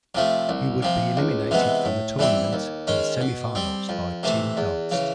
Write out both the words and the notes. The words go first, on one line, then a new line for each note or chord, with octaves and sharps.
He would be eliminated from the tournament in the semifinals by Tim Donst.
C3 F3 A3
C2
C3 F3
C#2
C3 E3 G#3 B3
A2
E3 G3 C4 E4
D#2
D#3 G#3 C#4
B2
G3 C4
F2
C3 E3 A3
E2
C#3 E3